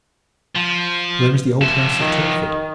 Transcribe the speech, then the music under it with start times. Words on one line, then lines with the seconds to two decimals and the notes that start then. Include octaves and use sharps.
Where is the old house of Tilford?
0.56 F3
1.61 F3 E5
1.99 D#3